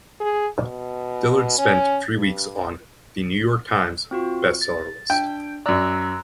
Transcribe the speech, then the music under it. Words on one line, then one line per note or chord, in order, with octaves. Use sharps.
Dillard spent three weeks on "The New York Times" Best Seller list.
G#4
B2
C#4
G2
C4 F4 F#4
A6
D4 G5
F#2 D5 A#5 E6 F#6